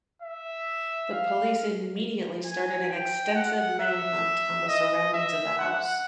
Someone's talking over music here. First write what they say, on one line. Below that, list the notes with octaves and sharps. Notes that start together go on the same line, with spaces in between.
The police immediately started an extensive manhunt on the surroundings of the house.
E5
F5
G#5
G5
F#5
E5
D#5
E5
F#5